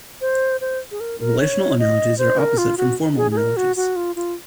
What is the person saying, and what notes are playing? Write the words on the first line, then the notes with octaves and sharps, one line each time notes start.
Relational analogies are opposite from formal analogies.
C5
C5
G#4
A#4
A#4
C#5
D#5
C5
A#4
F4
F#4
G#4
G#4
A#4
F#4
F#4
F4
F4